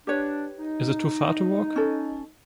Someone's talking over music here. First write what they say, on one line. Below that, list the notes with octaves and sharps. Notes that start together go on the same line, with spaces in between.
Is it too far to walk?
D4 G4 B4 C#5
D#4
C#4 A4